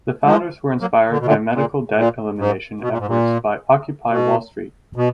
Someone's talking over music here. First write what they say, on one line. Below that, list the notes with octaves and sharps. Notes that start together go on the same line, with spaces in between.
The founders were inspired by medical debt elimination efforts by Occupy Wall Street.
F3 G#3
F#3 A#3
D3
B2
A#2 D3
A#2
A#2
G#2
B2
A#2
G#2
A#2
B2
B2